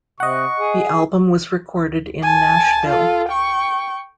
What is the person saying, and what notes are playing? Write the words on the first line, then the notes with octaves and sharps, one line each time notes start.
The album was recorded in Nashville.
C3 D#5 F#5 C#6
G#4
G#5 A5
F4 A4
G5 C#6